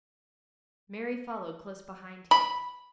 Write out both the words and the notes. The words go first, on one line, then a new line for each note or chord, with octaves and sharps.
Mary followed close behind him.
B5